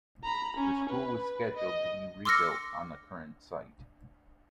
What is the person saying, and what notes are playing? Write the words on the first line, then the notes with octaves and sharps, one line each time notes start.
The school was scheduled to be rebuilt on the current site.
A#5 B5
C#4
B4
D#5
C6 D6 E6 F6 A#6 C#7